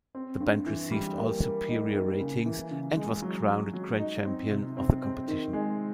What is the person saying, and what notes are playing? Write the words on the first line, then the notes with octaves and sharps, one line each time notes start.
The band received all superior ratings and was crowned Grand Champion of the competition.
C4
G2
E3
G3
A#3
A#3
D#4
A#3
C#3
E3
C#3
G#3
F#3
F#3
F#3
D#4
C4
C3
C4
C4
D#3
G#3